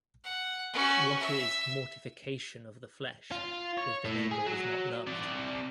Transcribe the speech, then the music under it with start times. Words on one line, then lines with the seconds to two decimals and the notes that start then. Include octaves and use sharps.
What is mortification of the flesh if the neighbor is not loved?
0.24 F#5
0.73 C#4 F#4
1.19 E5
3.31 F4
3.77 C#5
4.05 A2
4.31 G#4
4.47 F#3
5.07 C3 D5